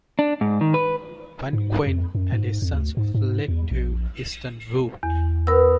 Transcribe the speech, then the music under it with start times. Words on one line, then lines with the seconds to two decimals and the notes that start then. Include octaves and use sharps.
Wen Qin and his sons fled to Eastern Wu.
0.19 D4
0.41 G#2
0.61 D#3
0.74 B4
1.53 G#2
1.87 F2
2.15 F#2
2.32 G#2
2.62 F2
2.73 D2
2.97 G#2
3.14 G#2
3.48 E2
3.71 A#1
5.03 E2
5.47 B3 A#4 E6